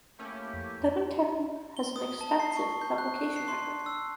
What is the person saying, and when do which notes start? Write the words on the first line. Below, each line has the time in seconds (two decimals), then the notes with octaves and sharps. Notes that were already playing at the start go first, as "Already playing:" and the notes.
Devin Terhune has an extensive publication record.
0.19 A3 A#3 C#4 E4 G4
0.53 F2
1.77 G7
1.96 D#6
2.21 A5
2.40 C7
2.57 C#6
2.81 G6
2.98 F#6
3.36 C7
3.48 C6
3.86 E6